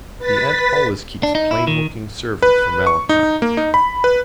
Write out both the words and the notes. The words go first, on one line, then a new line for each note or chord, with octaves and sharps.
The aunt always keeps plainlooking servants for Malachi.
B4 A6 B6
D4
D#4
E4
D#3
B4
C#6
D#4
A#3
D#4
B5
B4